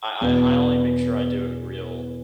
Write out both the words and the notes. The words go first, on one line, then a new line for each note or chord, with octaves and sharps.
I I I only make sure I do it in real,
E2 B2 B3